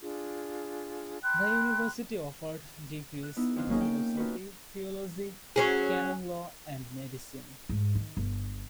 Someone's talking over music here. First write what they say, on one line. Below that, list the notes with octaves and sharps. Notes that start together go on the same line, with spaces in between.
The university offered degrees in Philosophy, Theology, Canon law and Medicine.
D4 F4 G#4
G5 B5 C6 F#6
F#6
B3 D#4 E4
F2 D#3 F4 F#6
F#3 A#3 C#4 D#4 G#4
G5
C#4 D#4 F4 F#4 B4
F#3 C#4 G#4
G#2
D#3
G1